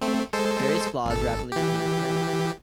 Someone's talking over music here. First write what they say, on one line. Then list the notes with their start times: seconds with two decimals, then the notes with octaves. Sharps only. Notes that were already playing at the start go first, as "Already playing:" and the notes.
Various flaws rapidly became apparent.
0.01 A3 C4
0.33 G#3 A4 C5
1.05 G#1 A4
1.52 E3 G4